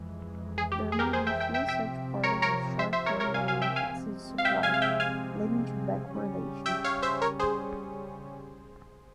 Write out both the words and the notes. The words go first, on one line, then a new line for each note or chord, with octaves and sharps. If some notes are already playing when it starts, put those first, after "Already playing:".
There may be few such parties if short-term demand exceeds supply, leading to backwardation.
Already playing: F2 E3 G#3
G#4
G4
G#4
G4 A#4
G#4 C5
E5 G5
E5 G5
E5 G5
C3 F3 C4 E5 G5
A#4 C#5
A#4 C#5
C5 E5
C5 E5
A#4 C#5
A#4 C#5
F5 G#5
F5 G#5
E5 G5
F5 G#5
C3 F3 G#3 C4
F5
E5 G5
F5 G#5
F5
E5 G5
F5 G#5
C#3 G3 C#4
E5 G5
C#5 F5
C5 E5
A#4 C#5
G#4 C5